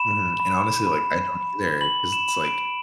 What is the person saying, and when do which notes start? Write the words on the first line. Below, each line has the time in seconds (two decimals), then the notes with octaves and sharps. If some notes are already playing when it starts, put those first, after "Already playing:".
Mhm. And, honestly, like, I don't either 'cause it's, like
Already playing: B5 E7
0.40 B5
0.87 B5
1.35 B5
1.81 B5 F#7
2.12 E7
2.29 B5
2.45 D7